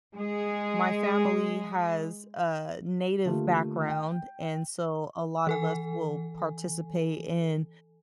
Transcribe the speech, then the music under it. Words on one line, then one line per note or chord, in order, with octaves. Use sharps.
my family has a Native background, and so, a lot of us will participate in
G#3 G#4
D3 A3 A#3 F4 G4
G5
E3 A4 G#5